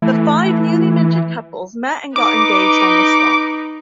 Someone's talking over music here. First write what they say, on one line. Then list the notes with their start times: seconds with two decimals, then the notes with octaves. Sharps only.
The five newly minted couples met and got engaged on the spot.
0.02 E3 A3
2.16 D#4 B4 D6